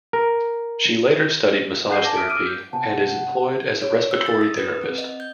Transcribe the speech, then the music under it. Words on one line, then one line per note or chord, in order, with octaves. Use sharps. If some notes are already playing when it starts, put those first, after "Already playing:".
She later studied massage therapy and is employed as a respiratory therapist.
A#4
G#4 F#5 F#6 G6 C7
G#5 A5 D6 A#6
E5 D#6 F6 B6 D7
D6 E6 F6 D7 D#7
G6
C3 B3 F#5 G#5 A5
C#5
E6
A6
D#6
B4
C4
D#5
G6